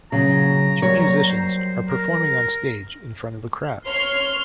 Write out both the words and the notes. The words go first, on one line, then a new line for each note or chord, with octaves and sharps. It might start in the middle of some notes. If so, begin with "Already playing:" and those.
Two musicians are performing on stage in front of a crowd.
A#2 C#3 F#3 A#5
F#3 G3 A#3 C#5
C5
A#4
C#5 C6 F6